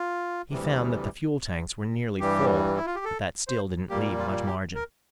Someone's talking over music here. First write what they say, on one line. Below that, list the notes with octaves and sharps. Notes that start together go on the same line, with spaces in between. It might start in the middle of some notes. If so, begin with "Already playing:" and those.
He found that the fuel tanks were nearly full, but that still didn't leave much margin.
Already playing: F4
D2 C3 E3 G3
G2 E3 G3 G4
E4
F4
G4
A4
C5
A#2 G3 A#3 G4
F4
G4
A#4